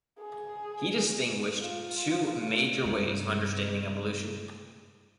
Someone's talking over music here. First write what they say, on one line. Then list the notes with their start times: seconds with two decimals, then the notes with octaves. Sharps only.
He distinguished two major ways of understanding evolution.
0.19 G#4
1.63 F4
2.85 G2 C3